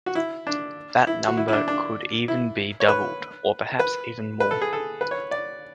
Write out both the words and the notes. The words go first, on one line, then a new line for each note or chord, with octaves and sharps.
That number could even be doubled or perhaps even more.
F#4
E4
D4
E4
F#4
E4
E4
D4
D4
E4
C#5
B4
B4
B4
A4
G#4
A4
B4
C#5
D5